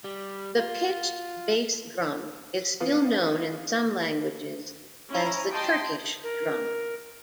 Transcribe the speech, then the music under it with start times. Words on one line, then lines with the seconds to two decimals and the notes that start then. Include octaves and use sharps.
The pitched bass drum is still known in some languages as the Turkish Drum.
0.04 G3
0.58 F4
2.80 E3 B3 F4
5.12 C#4 E4 A#5
5.51 D#5 G5 A5 C6
6.24 A#4